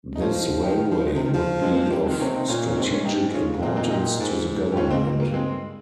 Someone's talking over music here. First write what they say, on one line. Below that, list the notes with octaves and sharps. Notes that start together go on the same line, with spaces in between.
This railway would be of strategic importance to the government.
D#4
F3 C#4 F4
D#4 G4
F3
D#3
F3
C#3 G#3
C3
D#3
F3
G#3 C4
A#3
G#3
G3 A#3
G#3 C4
D#3
C3 A#3 C#4
C4 D#4
A#2 C#4 F4
C#4
G#2 C4 D#4
A#3 C#4
G#2 D#4 G4
C#4 F4
A#2 C4 D#4
C4 D#4
D#4 G4
G#2
G4
G#2 C#4 F4
C4 D#4
G2 A#3
A#3
G#3 C4